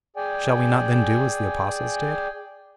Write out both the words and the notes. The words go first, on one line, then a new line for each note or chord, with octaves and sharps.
Shall we not then do as the apostles did?
G#4 D5 G5 G#5